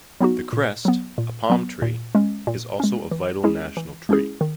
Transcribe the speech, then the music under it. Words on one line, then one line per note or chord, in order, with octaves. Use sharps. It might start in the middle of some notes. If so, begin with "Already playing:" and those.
The crest, a palm tree, is also a vital national tree.
F#3 B3 D#4 F#4
A#2
F#3 B3
A#2
F#3 B3
A#2
G#3 C#4
A#2
G#3 C#4
E3
G#3 C#4 E4 G#4
E3
G#3 C#4 E4 G#4
D#3